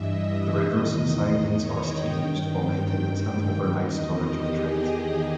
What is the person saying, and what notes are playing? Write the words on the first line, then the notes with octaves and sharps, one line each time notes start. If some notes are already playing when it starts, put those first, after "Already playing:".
The reversal sidings are still used for maintenance and overnight storage of trains.
Already playing: G2 E3 D#5 E5
E2 D#3
C#5
G5
G2 D#3 G5
E2 D#3 D#5
G4
G#4